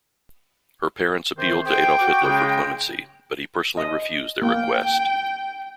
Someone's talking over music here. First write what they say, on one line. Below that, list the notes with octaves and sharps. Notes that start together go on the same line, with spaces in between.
Her parents appealed to Adolf Hitler for clemency, but he personally refused their request.
C3 D#3 C5
D2 G#4 C5 G5
F#4 D6
C#3 G#3
D#5
A#3 G5